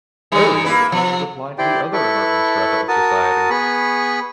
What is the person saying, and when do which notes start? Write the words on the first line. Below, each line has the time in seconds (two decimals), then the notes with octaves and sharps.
Earlier the term was applied to other emerging strata of the society.
0.32 E3 G3 D#4
0.64 A#3 E4 B4
0.92 F3
1.58 E4 G4 C5 D5 G5
1.93 E4 A4 B4 C#6
2.88 F#4 A#4 A5 D#6
3.50 B3 G#4 B5 C#6